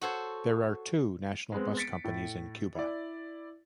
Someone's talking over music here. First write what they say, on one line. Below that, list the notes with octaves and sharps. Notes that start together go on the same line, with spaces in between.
There are two national bus companies in Cuba.
F#4 A4 C5 C#5
G#3 B3 C4
A6 B6 C#7 D7
A2
E4 D5